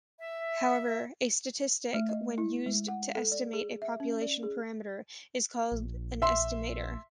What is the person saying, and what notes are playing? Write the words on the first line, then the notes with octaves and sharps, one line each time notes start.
However, a statistic, when used to estimate a population parameter, is called an estimator.
E5
A3
D#5
E4
G#3
F#5
A4
D5
G#4
E5
C#4
D5
G#4
A#1
E5 C6